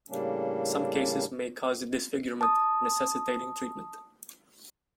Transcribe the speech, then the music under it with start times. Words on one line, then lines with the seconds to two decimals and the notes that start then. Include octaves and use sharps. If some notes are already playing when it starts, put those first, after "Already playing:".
Some cases may cause disfigurement, necessitating treatment.
0.10 A2 C#3 G3 A#3 C#4 D4
2.41 A5 D#6